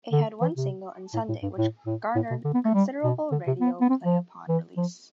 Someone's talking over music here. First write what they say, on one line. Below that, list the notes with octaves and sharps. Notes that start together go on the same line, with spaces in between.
It had one single in "Sunday" which garnered considerable radio play upon release.
D3
E3
C3
A2
A2
G2
A2
A2
A2
B2
D3
B3
A3
G3
B2
D3
C3
B3
B3
C4
F3
E3
F3